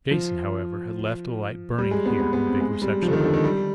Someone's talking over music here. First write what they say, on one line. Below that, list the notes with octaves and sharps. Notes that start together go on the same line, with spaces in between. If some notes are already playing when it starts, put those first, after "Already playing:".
Jason, however, had left the light burning here in the big reception hall.
F3
G3
G#3
B3
B3
B3
C4
G#3
G3
F3
D3
D#3
D3
D#3
G3